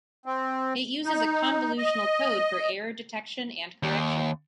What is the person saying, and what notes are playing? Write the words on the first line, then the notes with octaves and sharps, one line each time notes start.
It uses a convolutional code for error detection and correction.
C4
D#4
D#5
D#2